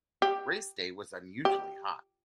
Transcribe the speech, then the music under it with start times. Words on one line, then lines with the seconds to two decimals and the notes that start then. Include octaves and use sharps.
Race day was unusually hot.
0.22 G4
1.45 G4